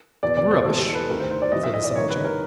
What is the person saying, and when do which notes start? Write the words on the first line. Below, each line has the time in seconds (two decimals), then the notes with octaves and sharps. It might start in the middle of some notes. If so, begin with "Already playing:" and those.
"Rubbish!" said the soldier.
0.23 E2 B2 D5
0.37 D5
0.51 C5
0.66 E2 C3 E3 A4
0.81 A4
0.95 B4
1.09 D2 C3 D#3 A#4
1.20 C5
1.31 C5
1.42 D5
1.52 C2 C3 F3 D#5
1.63 E5
1.74 D#5
1.84 D5
1.95 G2 D#3 C#5
2.10 B4
2.25 A#4